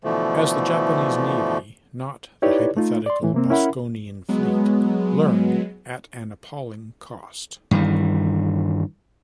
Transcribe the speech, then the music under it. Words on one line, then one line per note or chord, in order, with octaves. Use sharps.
As the Japanese Navy-not the hypothetical Boskonian fleet-learned at an appalling cost.
B2 D3 E3 F3 A3
D#4 E4 G4 B4 C#5 D5
A3 D#4 F4
D5 C6
C2 A2 E3
C3 A#3 C4
C#4 E4 A#4 E5 F#5 B5
F#3 G#3 B3
G2 D#3 E3